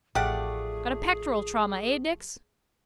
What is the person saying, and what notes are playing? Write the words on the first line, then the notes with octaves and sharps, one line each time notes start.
Got a pectoral trauma, eh, Dix?
A1 F3 A3 G4 G#4 D5 F#5